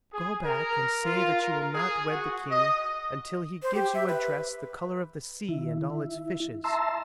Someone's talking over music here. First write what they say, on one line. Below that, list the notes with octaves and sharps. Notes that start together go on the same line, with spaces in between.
"Go back and say that you will not wed the king until he gives you a dress the colour of the sea and all its fishes."
G#4
A#4
F4
A#4
G#4
F#4
D#5
C5
G4
E5
B4
D#3 E4
E4
E5 A5 A#5 C6 E6